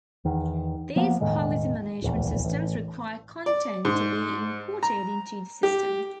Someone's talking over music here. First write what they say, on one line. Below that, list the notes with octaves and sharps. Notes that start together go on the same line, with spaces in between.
These policy management systems require content to be imported into the system.
E2 D#3
F3 A#3 B3
E1 A2 D#3 G#3
D1 A#1 E2
A1
D5
G#2
A#5
G4